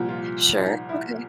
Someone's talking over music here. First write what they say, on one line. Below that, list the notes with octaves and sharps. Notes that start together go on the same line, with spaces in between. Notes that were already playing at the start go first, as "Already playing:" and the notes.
Sure, okay.
Already playing: C2 A#2 F3
F4
D#4
E4